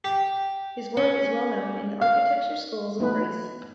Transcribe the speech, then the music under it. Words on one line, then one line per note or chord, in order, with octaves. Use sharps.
His work is well known in the architecture schools of Greece.
G4
C#4
F5
A3 B3 D#4 B4